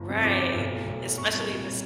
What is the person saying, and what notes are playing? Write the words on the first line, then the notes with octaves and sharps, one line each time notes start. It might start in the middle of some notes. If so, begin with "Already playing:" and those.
Right, especially if it's
Already playing: G1
F2 C3 F3
G1 D6
F2 C3 F3
B1
A2 F#3
B1
A2 F#3
C2 C#6
A#2 G3 A#3
C2
A#2 G3 A#3